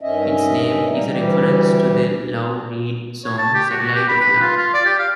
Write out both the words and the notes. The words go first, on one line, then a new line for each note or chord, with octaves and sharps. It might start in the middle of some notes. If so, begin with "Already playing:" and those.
Its name is a reference to the Lou Reed song, "Satellite of Love".
G2 D#3 C#4 D#5 E5
G3 A#3 D#4
D2 E3 G3 G4
C#5
A5
G4
F#4
G4
B5
B4
F4
F4
D5
G4
F5